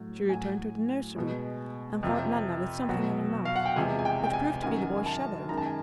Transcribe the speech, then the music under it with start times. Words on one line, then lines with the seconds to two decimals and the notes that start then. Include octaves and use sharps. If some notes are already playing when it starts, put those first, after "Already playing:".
She returned to the nursery, and found Nana with something in her mouth, which proved to be the boy's shadow.
Already playing: A2 F#3
0.29 A2 F#3 G#5
1.16 B2 G#3
2.03 F2 C3 F3
2.89 B2 F#3
3.45 F5
3.56 F#5
3.65 G5
3.76 E2 C3 F3 G#3 G#5
3.99 G#5
4.05 G5
4.24 G5
4.33 G#5
4.63 F#2 D#3 F#3 G#5
4.98 G#5
5.06 A5
5.49 F#2 D#3 G#3 A#5
5.58 A5
5.66 G#5